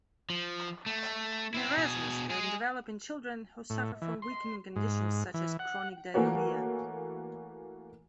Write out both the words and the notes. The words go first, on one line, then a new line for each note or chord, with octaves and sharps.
Marasmus can develop in children who suffer from weakening conditions such as chronic diarrhea.
F3
A3
C4 E4
B2 G#4
G#3 G#4
A2
E3
C6
G#2
E3
F#5
E3 A3 A#3 F#4 C#5